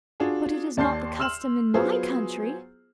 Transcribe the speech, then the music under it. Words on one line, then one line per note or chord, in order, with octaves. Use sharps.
'But it is not the customer in MY country!
D4 F4 F#4 G#4
D#2 D5 A5 C6 G6 C7
C6 E6 F6 E7 F#7
F#3 B3 F4 G#4 C5